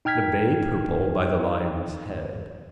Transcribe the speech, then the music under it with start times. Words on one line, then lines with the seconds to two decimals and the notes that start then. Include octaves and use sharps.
The bay purple by the Lion's head.
0.05 D#4 G5 F6 G#6 B6